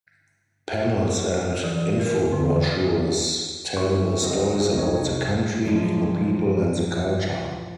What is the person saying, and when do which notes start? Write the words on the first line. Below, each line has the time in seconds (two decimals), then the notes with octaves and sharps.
Panels and infobrochures tell the stories about the country, the people and the culture.
1.64 E3
2.00 A#4
2.32 D3
3.77 F#1 E4 C#6
4.23 D2 C4 D#5
4.73 C2 C3 D#4 C#5
5.65 F#2 A#2 E3 F3 G#3 C#4